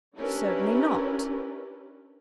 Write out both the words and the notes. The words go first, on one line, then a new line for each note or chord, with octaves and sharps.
"Certainly not."
C#4 D4 E4 G4 A#4 B4